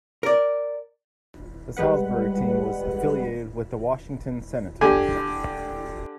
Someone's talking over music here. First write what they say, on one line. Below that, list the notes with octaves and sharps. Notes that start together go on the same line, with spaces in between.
The Salisbury team was affiliated with the Washington Senators.
A#4 D5
G3 G#3 B4 F#5
D3 G4 G#5